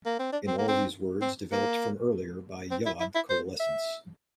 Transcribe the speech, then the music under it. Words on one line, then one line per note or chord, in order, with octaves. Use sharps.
In all these words, developed from earlier by "yod"-coalescence.
A#3
C4
D4
C4
A#3
C4
C4
A#3
C4
E4
E4
E4
C5
E5